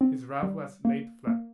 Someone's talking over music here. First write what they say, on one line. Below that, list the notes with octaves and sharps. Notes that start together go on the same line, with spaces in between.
His ruff was laid flat.
C4
G3
A#3
A#3